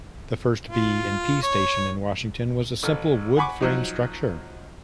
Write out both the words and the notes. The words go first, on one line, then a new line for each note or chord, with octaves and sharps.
The first B and P station in Washington was a simple wood frame structure.
F4
C#5
A1 A4 E6 F6
F#5 G#5 B5 C#6 D6
F3 F#3 D#4